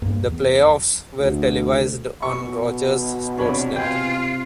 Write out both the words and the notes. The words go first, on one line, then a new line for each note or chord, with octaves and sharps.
The playoffs were televised on Rogers Sportsnet.
G2 A#3
E2
D2
B2 C#6
E2 C3 D4 C#5 B5
C3 F4 G5 G#5